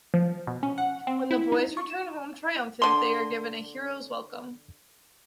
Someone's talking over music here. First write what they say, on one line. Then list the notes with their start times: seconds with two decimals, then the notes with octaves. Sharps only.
When the boys return home triumphant, they are given a hero's welcome.
0.14 F3
0.47 B2
0.63 C#4
0.78 F#5
1.07 C4
1.31 E4
1.52 D#4
1.77 C#6
1.90 E7
2.82 D3 C6